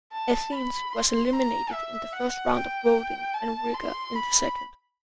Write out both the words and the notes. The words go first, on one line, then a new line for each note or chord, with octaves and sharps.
Athens was eliminated in the first round of voting and Riga in the second.
A5
B5
C6
A#5
E5
F#5
G5
A5
C6
B5